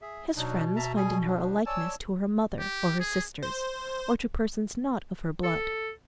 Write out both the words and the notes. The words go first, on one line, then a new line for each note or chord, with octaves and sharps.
His friends find in her a likeness to her mother, or her sisters, or to persons not of her blood.
G#4 E5
B2 F#3 D4 D#4
E5 A5 A#5
G3 G#4 G#5
F3 D4
C#5 D5 G#5 A5 E6
G4
G#4
C5
A4